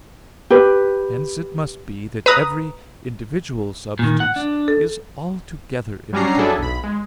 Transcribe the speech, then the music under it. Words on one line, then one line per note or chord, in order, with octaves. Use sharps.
Hence it must be that every individual substance is altogether immaterial.
G4 B4
B4 A#5 D#6
A#2 D#3
F#5
D4
A4
F#3 G3 C#4 D4 A#5 C7
F#3 D4 E4 G#4 A4
B1 B5
G#3